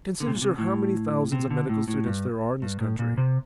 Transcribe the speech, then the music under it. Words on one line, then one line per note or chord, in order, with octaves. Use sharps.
Consider, sir, how many thousands of medical students there are in this country.
D3
C3
A#2
C3
A2
C3
D3
A2
A2
G2
G2
A2
A#2
C3